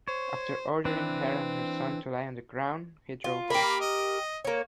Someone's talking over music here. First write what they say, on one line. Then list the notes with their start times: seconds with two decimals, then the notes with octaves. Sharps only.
After ordering her and her son to lie on the ground, he drove off.
0.08 C5 C#5
0.85 E3 C4 D4 B4
3.24 F4
3.50 A#3 G4 A#4 B5
3.81 D#5
4.45 A#3 C#5